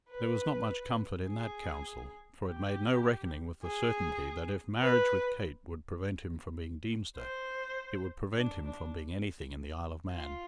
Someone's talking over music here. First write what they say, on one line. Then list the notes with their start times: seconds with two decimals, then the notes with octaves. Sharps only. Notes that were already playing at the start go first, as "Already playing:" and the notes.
There was not much comfort in that counsel, for it made no reckoning with the certainty that, if marriage with Kate would prevent him from being Deemster, it would prevent him from being anything in the Isle of Man.
0.10 B4
1.28 G#4
2.47 G4
3.64 G#4
4.82 B4
7.18 C5
8.36 D4
8.66 D4
10.13 F4